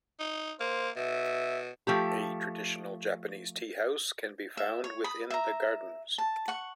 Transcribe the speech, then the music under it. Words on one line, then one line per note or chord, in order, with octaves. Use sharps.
A traditional Japanese tea house can be found within the gardens.
D#4
A#3 C5
B2 E5
F3 A3 G4
E5
C#5
B5 D#6
E5 A#5
A5
F#5 C#6